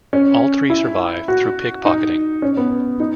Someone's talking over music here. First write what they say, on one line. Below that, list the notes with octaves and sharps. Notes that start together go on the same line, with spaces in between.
All three survive through pickpocketing.
C#4
E4
F#4
D#4
C#4
B3
D#4